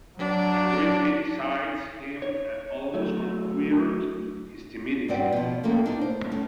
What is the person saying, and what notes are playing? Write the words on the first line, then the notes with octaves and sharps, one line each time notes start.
A great pity seized him and almost conquered his timidity.
F#3 D4
C#5
F#3 A3
G2 C4 F#4 D5
B2 F3
A3 A#3 C4 C#4 A4 F5
D4 D#4 F4
C5
A3 C#4